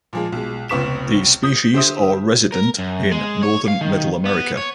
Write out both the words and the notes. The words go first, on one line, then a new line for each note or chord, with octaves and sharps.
These species are resident in northern Middle America.
A#2 F3 G#3
B1 G#3
F1 C#2 B3 C#6 B6 E7
D#6 G6
D3 G4 C5 E5 D#6
A#4
F#2
G#3
C#5
F5
D#3
B3
C#5